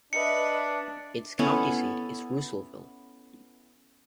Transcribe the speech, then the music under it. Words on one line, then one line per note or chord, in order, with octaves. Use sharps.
Its county seat is Russellville.
D4 B4 D#5 E5 C#7
B3 C#4 E4 A4